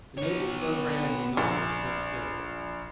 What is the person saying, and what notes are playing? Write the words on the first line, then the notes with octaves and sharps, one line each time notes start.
The naval programme will not have stood still.
B3 C#5
A#1